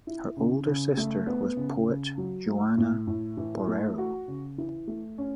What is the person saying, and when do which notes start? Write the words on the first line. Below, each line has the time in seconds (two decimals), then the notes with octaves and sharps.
Her older sister was the poet Juana Borrero.
0.07 E4
0.37 C#3
0.67 C#3
0.97 A3
1.27 B3
1.57 C#3
1.87 C#3
2.18 F#3
2.47 A3
2.78 A2
3.07 A2
3.37 E3
3.68 A3
3.98 F#4
4.28 C#3
4.58 E3
4.87 A3
5.18 C#4